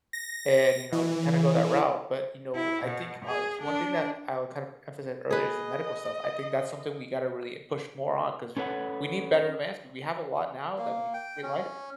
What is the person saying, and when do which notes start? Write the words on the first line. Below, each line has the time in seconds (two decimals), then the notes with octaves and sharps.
And, you know, you kinda go that route. But, you know, I think, uh, it's one thing that I would kinda emphasize earlier is the medical stuff. I think that's something we gotta really push more on 'cause we need better advancement. We have a lot now that we we like.
0.13 A#6
0.93 E3
2.55 E4
2.85 B2
3.25 G#4
3.62 D4
5.31 G#4 B4 D#5
8.57 C#4 A4 B4 C#5 F#5
10.78 A#3
11.14 G5
11.43 C#4